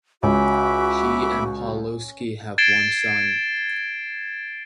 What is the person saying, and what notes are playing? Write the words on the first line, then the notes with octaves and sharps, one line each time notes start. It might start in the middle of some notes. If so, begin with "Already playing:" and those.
She and Pawlowski have one son.
C#2 C#4 F#4 E5 B5 D6
G#6 A6 C7 D7 E7 G7